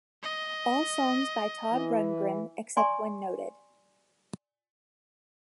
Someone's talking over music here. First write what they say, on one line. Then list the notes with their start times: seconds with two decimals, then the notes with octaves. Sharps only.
All songs by Todd Rundgren; except when noted.
0.23 D#5
1.73 E3
2.77 D5 G#5 A#5 C6 C#6